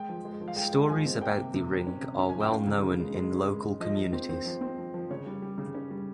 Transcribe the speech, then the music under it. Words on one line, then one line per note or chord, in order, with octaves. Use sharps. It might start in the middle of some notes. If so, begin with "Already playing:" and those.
Stories about the ring are well known in local communities.
Already playing: G#3 G5
F3
G#3
F3
F5
G#3 G5
G#3
F3 G#5
C4
A#3 G5
C3
C3
C3
C#4
C3
C#4
G#5
F3
G5
C#4 F5
C#3
C#3
G#3
G#3
C#4
G#3
G#3
F3 D#5
F3
C4
C4
F3
C4
F3
F3
C#3 C#5
G3
G3
C#3
C#4
G3